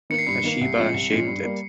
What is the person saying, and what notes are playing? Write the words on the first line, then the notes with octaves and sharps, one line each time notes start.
Hashiba shaped it.
D#3 A#3 C#7
C7
G2 C#7
D#3 A#3
C2
A#2 F3 G#3 C#4
C2
A#2 F3 G#3 C#4
G2
G3 A#3